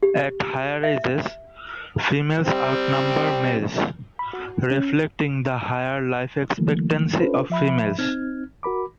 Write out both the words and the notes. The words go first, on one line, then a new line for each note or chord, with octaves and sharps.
At higher ages, females outnumber males, reflecting the higher life expectancy of females.
G4
E5
G3 C4
B5
F#4
C#4
D3 E3 F#3 A3 A#3
C#4 D4 F4 A4 B4 C5
F3 E5 B5
C4 D#4 F6 G#6
F#4 A#4 B5 D6